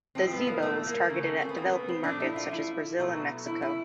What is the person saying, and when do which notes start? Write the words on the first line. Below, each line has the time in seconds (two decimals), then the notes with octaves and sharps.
The Zeebo was targeted at developing markets such as Brazil and Mexico.
0.15 A2 F3 G#3 C4
0.31 B3
0.47 A#3
0.62 A3
0.86 A#3
1.09 C#3 F#3 A3
1.42 C4
1.49 B3
1.57 A#3
1.73 B3
1.88 C4
2.04 A#2 F3 A3 D4
2.20 E4
2.36 F4
2.51 E4
2.99 B2 F#3 A3
3.46 E4
3.62 E4